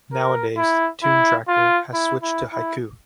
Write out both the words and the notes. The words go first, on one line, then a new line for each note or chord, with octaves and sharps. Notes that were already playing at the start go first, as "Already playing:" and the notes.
Nowadays TuneTracker has switched to Haiku.
A#4
E4
E4
F4
E4
E4
E4